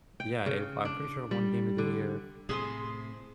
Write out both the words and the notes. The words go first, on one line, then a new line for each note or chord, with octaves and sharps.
yeah if I'm pretty sure won Game of the Year,
G5
C#3
D4
G3
D3
A2 C3 G#4 C6 D#6